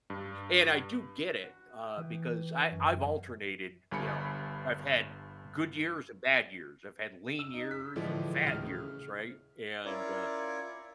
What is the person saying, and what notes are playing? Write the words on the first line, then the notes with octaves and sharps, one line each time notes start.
and I do get it, uh, because I I've alternated, you know, I've had good years and bad years. I've had lean years and fat years, right, and, uh,
G2
F#4
G5 D#6
E3
F#2
G1 G2 B5 C#7
E6
D#4
B6
A2 D3 E3 F3 G#3 A3
D#1 A2 G#3 A3 F6
C#3
C#4 E4 F4 A#4 C#5 D5